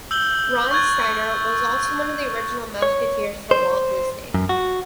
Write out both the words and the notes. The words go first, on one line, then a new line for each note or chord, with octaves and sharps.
Ron Steiner was also one of the original Mouseketeers for Walt Disney.
E6 G6 F#7 G7
C#6 F#6 G#6 A6
C#5
C5
F#2
F#4